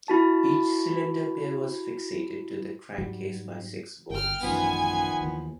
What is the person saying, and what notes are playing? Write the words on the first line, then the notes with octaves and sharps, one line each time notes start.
Each cylinder pair was fixated to the crankcase by six bolts.
E4 F#4 A5
G#2 F#3 G3
G1 G5 F6
A1 F#2 D#3 F3 B3 G#5
D#2 E3